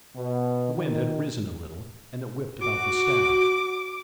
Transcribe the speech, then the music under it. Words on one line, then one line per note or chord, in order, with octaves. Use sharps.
The wind had risen a little, and it whipped about the staff.
B2
D#3
F#4 D6